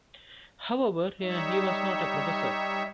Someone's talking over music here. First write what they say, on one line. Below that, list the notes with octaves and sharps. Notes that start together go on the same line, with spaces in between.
However, he was not a professor.
G3 D#4 C#5 E5